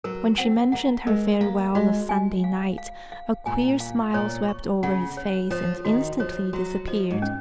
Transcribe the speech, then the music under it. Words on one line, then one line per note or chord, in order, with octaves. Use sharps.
When she mentioned her farewell of Sunday night, a queer smile swept over his face and instantly disappeared.
F#3 A#4
C4 F#5
A#3 F#5
G#3 A#4
A#3 F5
G#3 F#4
G#5
F5
F5
F5
A#2 G#5
F5
A#2 C#5
C#6
C#3 F#5
C#5
F3 C#5
D#3 F#4
F3 C#5
F#3 F#4
F3 D#5
G#2
C#4